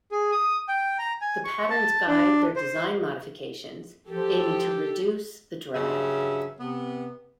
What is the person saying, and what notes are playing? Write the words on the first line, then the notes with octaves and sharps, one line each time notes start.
The patterns guide their design modifications, aiming to reduce the drag.
G#4
D#6
G5
A#5
G#5
C#6
A5
D4
C5
F3 G4 A4
G2 C#3 F#3 E5
C3 B3